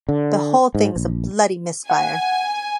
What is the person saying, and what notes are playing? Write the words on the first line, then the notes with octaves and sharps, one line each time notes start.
The whole thing's a bloody misfire.
D3
G#2
A#1
F#5 G#5